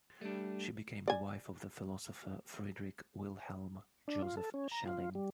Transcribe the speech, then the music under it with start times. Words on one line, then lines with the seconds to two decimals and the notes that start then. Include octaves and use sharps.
She became the wife of the philosopher Friedrich Wilhelm Joseph Schelling.
0.21 G3 A3 D4
1.08 D5 G#5
4.08 D4
4.22 F4
4.37 A4
4.54 C#4
4.72 A#5
4.85 F4
5.15 G3